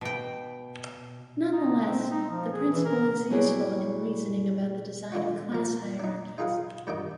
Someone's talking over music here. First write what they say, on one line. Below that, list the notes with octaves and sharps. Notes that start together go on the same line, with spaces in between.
Nonetheless, the principle is useful in reasoning about the design of class hierarchies.
B2 G5
D#4
C4
D#4
F3
G#4
E3
A#4
F#3 G3 E4 F#4 G#4 D5
D3 D4 F4 F#4
F3 A#4
D4 D#4
D#4 F4 G#4 B4 F5 F#5
G2 D#3 D4 F#4 D#5 D6